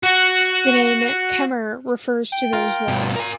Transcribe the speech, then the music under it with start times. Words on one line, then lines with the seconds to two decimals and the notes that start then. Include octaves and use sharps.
The name "Kemer" refers to those walls.
0.03 F#4 F#5
2.33 G5
2.53 F4 A#4
2.88 G2 B2
3.15 A#4 G#5